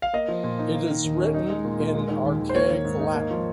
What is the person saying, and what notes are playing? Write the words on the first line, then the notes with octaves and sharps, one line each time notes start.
It is written in archaic Latin.
F5
A#3 D#5
F3
A#2
D#4
A#3
D#3
D#2
C#4
D#4
G#3
A#2
A#2
G#3
D#3
D#2
D#2
C5
A#3 C#5
D#3
G#2
D#4
A#3
F3